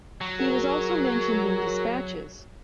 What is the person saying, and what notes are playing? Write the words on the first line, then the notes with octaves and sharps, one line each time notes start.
He was also mentioned in dispatches.
F#3
F#4 G#4 A#4